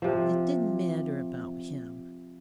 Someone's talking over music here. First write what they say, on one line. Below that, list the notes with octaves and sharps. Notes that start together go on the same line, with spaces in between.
It didn't matter about him.
C3 F3